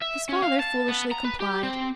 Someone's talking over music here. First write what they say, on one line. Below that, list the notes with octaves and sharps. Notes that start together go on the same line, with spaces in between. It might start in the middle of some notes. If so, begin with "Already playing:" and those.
His father foolishly complied.
E5
C#4
F5
A5
B3
A#5
B4
G4
C4